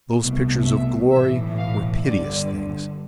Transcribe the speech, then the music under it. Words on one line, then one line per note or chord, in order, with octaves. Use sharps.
Those pictures of glory were piteous things.
C2 B2 A3
E5
B1 A2 E3 E5
F5
G1 G2 D3 D5